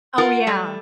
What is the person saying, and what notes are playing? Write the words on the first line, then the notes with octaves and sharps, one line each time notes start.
Oh, yeah,
F4 A#4 F#5
G3 A3